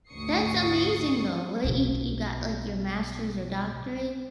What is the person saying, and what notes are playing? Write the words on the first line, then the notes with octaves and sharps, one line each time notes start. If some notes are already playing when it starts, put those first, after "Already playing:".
That's amazing, though. Well, you you got, like, your master's or doctorate?
G#1 D2 C#6 D#6 C7 C#7
B1 B2